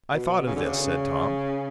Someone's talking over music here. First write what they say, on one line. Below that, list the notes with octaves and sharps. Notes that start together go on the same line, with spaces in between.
"I thought of this," said Tom.
B2
C#3
D3
C#3